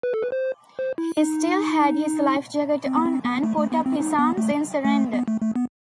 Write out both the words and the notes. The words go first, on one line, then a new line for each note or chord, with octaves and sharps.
He still had his life-jacket on and put up his arms in surrender.
B4
A4
B4
C5
C5
E4
D#4
C4
B3
C4
B3
A3
A3
B3
C4
D#4
B3
A3
A3
B3
A3
A3
B3